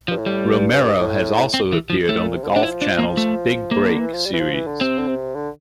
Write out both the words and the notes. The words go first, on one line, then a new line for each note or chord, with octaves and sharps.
Romero has also appeared on The Golf Channel's "Big Break" series.
F3
G2
A2
G3
G2
A2
C4
E3
F3
A2 A3
A#2
C3
D3
C3
D4
F3 E4
D4
A#3
A3
C3 A#3
D3
E3
F3
G3
E3
F3
E3
D3
C3 C4
D3
C3
D3